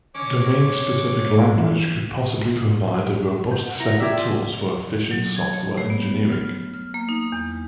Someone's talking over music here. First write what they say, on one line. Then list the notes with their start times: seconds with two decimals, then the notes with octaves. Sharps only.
Domain-specific language could possibly provide a robust set of tools for efficient software engineering.
0.15 D3 G#3 C#4 C#5 D6
1.58 E3
3.52 G6
3.66 F#5
3.80 E4 A#5
4.00 D5 E5 G5 D6 G#6
4.12 F4 D5
5.11 F#3
5.36 G#6
5.53 C#5
5.77 A3
5.90 B3
6.32 F6
6.74 F6
6.94 A#3
7.09 D#4
7.32 E2